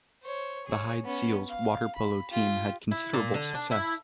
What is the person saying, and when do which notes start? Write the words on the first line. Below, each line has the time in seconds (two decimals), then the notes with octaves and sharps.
The Hyde Seals water polo team had considerable success.
0.23 C5 C#5
0.66 G#4 C#5
1.04 B3 C#4
1.49 F5
1.96 B5
2.31 F4 G4
2.91 E4
3.14 A#2
3.34 D3
3.55 D4
3.71 E4